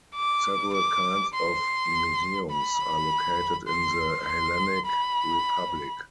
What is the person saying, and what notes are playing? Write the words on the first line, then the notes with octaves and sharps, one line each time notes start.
Several kinds of museums are located in the Hellenic Republic.
D6
D6
C6
B5
C6
C6
B5